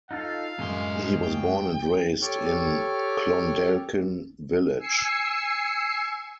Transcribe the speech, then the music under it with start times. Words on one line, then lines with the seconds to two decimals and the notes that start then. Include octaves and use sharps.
He was born and raised in Clondalkin Village.
0.11 D#4 F4 A4 F5
0.59 F#2 A2 G#3 C6
1.23 G5
2.22 G4 A4 C#5 C#6 D6 F6
4.78 G#5 E6 C7 C#7